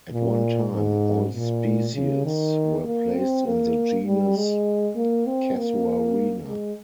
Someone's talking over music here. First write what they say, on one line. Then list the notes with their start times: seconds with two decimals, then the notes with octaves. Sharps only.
At one time, all species were placed in the genus "Casuarina".
0.12 A#2
0.73 G#2
1.34 A#2
1.94 C#3
2.24 D#3
2.85 A#3
3.15 C4
3.46 A#3
4.06 G3
4.37 G#3
4.96 A#3
5.26 C4
5.56 A#3
6.47 G#3